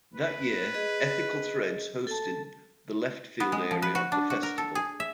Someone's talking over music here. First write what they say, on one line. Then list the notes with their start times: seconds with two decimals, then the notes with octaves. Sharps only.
That year, Ethical Threads hosted The Left Field area of the festival.
0.15 B4
0.74 G#4 D#5
2.07 A4 A5
3.40 B3
3.52 G#3
3.71 F3
3.82 B4
3.95 F#4
4.12 D4
4.30 F#4
4.43 A#4
4.58 A4
4.75 G#4
5.00 E5